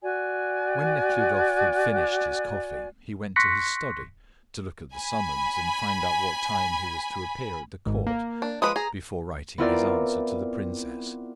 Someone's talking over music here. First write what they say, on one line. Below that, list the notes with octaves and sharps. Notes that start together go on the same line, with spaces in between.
When Nekhludoff had finished his coffee, he went to his study to look at the summons, and find out what time he was to appear at the court, before writing his answer to the princess.
F#4 D5 G#5
C6 C#6 F#6 A#6 B6 C#7
G#5 B5
G#1 G#2
A#3
D4
F3 G#3 B4 D#6
G#4 A#5
B3 C4 E4 F4 A#4 D5